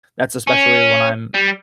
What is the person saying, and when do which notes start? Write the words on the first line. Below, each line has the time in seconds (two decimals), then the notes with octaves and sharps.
That's especially when I'm
0.47 C#4
1.34 G3